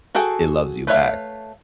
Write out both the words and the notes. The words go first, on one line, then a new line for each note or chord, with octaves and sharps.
it loves you back
F#4 G#4 A4 G5 A5
A3 B4 C#5 E5 F5